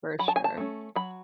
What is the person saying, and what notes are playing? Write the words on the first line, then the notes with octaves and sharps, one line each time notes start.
For sure.
F#3 B5
A5
G#5
A5
A3 C#4
F#3 B5